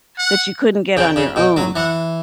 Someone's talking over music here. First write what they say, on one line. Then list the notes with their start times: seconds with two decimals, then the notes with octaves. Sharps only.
that you couldn't get on your own.
0.18 F#5
0.97 C#3 G5
1.16 C#3
1.36 B2 G5
1.57 F#3
1.76 E3 F#5